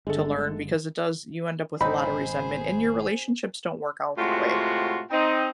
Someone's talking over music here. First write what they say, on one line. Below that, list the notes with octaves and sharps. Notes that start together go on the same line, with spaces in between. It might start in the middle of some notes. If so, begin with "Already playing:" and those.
to learn because it does you end up with a lotta resentment, and your relationships don't work out that way.
G1 D3 G#3 A3 A4
G#1 B2 C4 D#4 G#4 C5 B5
A2 C3 G#3 F4 F#4
C4 D#4